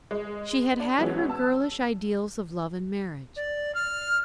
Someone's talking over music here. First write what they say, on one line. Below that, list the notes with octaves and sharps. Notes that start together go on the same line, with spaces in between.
She had had her girlish ideals of love and marriage.
G#3
D4
E3 F#3 G#3 B3 C#4
A5 E6
D5
F6